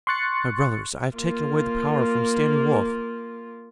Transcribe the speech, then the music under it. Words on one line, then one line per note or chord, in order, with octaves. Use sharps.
My brothers, I have taken away the power from Standing Wolf.
C6 C#6 F#6 A6 C#7
A#3 F4